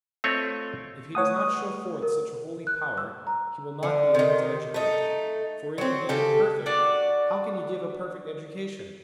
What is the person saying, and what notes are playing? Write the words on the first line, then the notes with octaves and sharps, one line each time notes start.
If He does not show forth such a holy power, He will not be able to educate, for if He be imperfect, how can He give a perfect education?
A3 C4 F4 C#5 D#5
A3 C#5 F#5 D#6
B4
A#4
F#6
E6
A#5
D3
C3 D#3
A3 D#4
F#3 C4
C#3 G4 A4
D4 F#4 D5